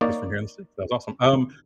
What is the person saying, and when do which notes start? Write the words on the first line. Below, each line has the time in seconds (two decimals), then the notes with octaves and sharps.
He's from here in the states. That's awesome. Um,
0.01 A#3 D#4 C#5 D5